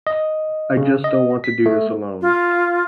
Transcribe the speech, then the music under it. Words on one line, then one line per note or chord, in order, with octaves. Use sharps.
I just don't want to do this alone.
D#5
C#3
D#5
B6
A3
F4